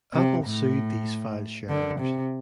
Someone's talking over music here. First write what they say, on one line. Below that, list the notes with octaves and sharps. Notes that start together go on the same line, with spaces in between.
Apple sued these file sharers.
C3
A2
D3
C3